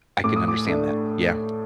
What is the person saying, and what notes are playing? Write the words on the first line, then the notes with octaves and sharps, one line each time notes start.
I can understand that. Yeah.
A2 D6
D#6
D6
A3 D4